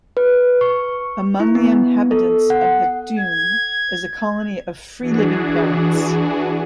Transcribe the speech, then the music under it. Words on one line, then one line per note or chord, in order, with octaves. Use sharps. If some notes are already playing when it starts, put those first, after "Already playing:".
Among the inhabitants of the dune is a colony of free-living parrots.
B4
C#6
E4
B3
A4
F#5
G#6
E3 D4 F#4 G#4